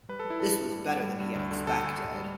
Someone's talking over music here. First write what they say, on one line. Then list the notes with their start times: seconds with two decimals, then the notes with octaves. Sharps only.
This was better than he had expected.
0.09 G3 B4
0.19 A4
0.25 G3
0.30 E4
0.40 G2 A4
0.57 G2
0.72 G3
0.88 G2
1.03 G3
1.20 G2
1.35 D2
1.51 D3
1.67 D2 A4
1.83 D2
1.98 G3
2.14 G3